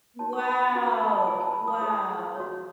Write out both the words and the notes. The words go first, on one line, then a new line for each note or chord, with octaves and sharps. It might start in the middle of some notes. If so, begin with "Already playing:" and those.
Wow. Wow.
D#4 F#4 C#5 A5
C#6
B5
B5
C#4 F#4 B4 G#5
C#6
B5
A5
E4 B4 G#5
A5
B5
D#6
E4 G#4 C#5 D#6
F#4 C#5